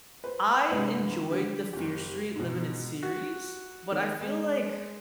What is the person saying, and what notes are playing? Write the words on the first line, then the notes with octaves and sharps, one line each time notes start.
I enjoyed the Fear Street Limited series, but I feel like
B4 C5
G2 C3 G#3 B3 E4 F#7
D3 G4
F#1 G4
G#2 B2
F#4
D#3
G#3